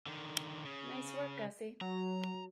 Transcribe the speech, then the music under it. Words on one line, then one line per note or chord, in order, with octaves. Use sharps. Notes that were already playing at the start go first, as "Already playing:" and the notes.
Nice work, Gussie.
D3 D#3
C#3
F#3 A#5